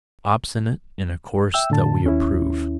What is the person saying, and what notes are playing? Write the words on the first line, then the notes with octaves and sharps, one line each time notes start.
Obstinate in a course that we approve.
E5 G5 E6
A2 D3 A5
D#2 C#4 E4